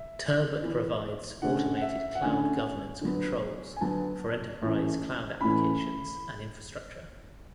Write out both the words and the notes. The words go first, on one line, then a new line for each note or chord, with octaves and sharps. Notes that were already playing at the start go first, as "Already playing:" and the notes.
Turbot provides automated cloud governance controls for enterprise cloud applications and infrastructure.
Already playing: E5
E3 B3
D3 A3 C#4 F#5
F#5
E5
F#5
D3 A3 C#4 G#5
D3 F#3 B3
G#5
D3 F#3 B3 A5
A2 E3 A3 C#4
A2 E3 A3 C#4 B5